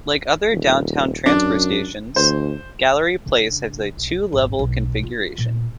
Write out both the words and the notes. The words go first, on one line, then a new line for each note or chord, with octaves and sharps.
Like other downtown transfer stations, Gallery Place has a two-level configuration.
D#1
F#2 D4
D2 C5
C#3 D4
B1
D#1 G#1
B1
F4
A#2